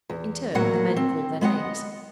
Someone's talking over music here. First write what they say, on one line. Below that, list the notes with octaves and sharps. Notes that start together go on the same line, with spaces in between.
In turn the men called their names.
E2
E2 A2 F#3 A#3 F#5
C4
G#3 B3 D#5 F#5